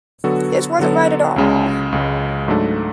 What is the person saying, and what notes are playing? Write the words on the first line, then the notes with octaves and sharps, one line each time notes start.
This wasn’t right at all.
D3 F#3 B3 F#4 A4
D3 F#3 B3 F#4 A4
C#2 C#3 G#3
C#2 C#3 G#3
G#2 F#3 A3 D4 A4